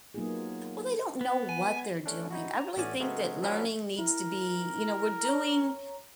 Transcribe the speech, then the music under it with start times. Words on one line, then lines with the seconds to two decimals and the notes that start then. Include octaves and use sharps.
Well they don't know what they're doing. I really think that learning needs to be you know, we're doing
0.14 F#3 A#3 B3 D#4 F4 G#4
1.21 B3
1.49 G#5
2.06 A3 C#4 D4
2.31 D#4 E4 F#4
2.57 A#5
2.76 A1 A3 B3 C#4 D5 G#5
3.00 C#3 F#3 G#3 A3 B3 C#4
3.42 F3 F#3 B3 C#4 D4 E4
3.99 E4 A#4
5.25 C#5 A#5